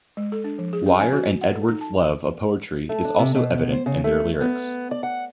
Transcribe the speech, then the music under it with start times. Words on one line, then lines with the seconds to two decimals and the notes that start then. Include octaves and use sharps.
Wire and Edwards' love of poetry is also evident in their lyrics.
0.17 G#3
0.32 A4
0.44 D4
0.59 F3
0.73 G#4
0.86 C#4
1.00 G#5
1.13 F#4
1.41 F#5
1.53 A4
1.68 D#4
1.81 A5
2.89 A3
3.05 D4
3.19 C3
3.35 B2
3.72 C5
3.86 C#3
4.04 A3
4.41 B3
4.91 D5
5.03 F#5